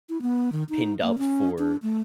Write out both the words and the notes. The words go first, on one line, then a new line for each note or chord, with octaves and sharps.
pinned up for,
E4
B3
D#3
D#4
A#3
C#4
D4
A3